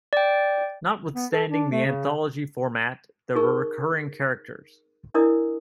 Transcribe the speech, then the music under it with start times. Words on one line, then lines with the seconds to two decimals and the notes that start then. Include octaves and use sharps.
Notwithstanding the anthology format, there were recurring characters.
0.13 D5 G5
1.15 B3
1.32 A4
1.50 D4
1.72 A3
1.85 C#3
3.35 D#4 G#4 A#4 C#6
5.14 D4 E4 A#4 D5 D#5 D#6